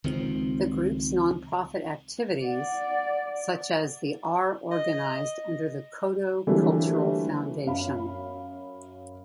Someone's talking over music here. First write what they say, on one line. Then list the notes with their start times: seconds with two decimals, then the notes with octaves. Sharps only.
The group's non-profit activities, such as the are organized under the Kodo Cultural Foundation.
0.04 C#2 D#3 F3 C4
2.45 D5 F#5
4.71 D#5
6.47 D3 E3 F#3 G3 A3 A#3
7.66 F#2 F5 B5